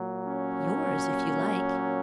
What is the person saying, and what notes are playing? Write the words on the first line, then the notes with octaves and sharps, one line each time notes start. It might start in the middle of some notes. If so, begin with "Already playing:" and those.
"Yours, if you like."
Already playing: A#2 F#3 A#3
C#4